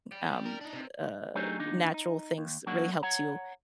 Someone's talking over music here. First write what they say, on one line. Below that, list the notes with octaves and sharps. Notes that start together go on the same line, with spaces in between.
um, uh, natural things really helps you
D5 G5
A#4
D4 D#4
C3
F#3 A3 D4 D#4 G4 G#4
D#2 D4 D#4
D#4
D#2
F#2 F#3 A#3 D4 F#4
C#5 F#5 A#5